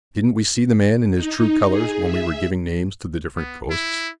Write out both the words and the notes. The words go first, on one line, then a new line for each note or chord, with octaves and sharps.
Didn't we see the man in his true colours when we were giving names to the different coasts?
D#4
G#4
E5
B3
E4